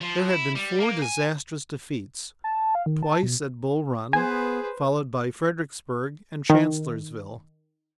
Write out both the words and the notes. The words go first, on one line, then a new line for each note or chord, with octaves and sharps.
There had been four disastrous defeats--twice at Bull Run, followed by Fredericksburg and Chancellorsville.
F3
E4
G3
A#3
G#5
A5
F5
D#3
A5
B2
B3 G#4 B4 C5 G#5
D#3